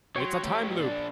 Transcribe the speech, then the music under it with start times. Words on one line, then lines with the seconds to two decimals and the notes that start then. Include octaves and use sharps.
It's a time loop!
0.16 F#3 C#5 G5 C6
0.43 A2 G4
0.79 A#2 D4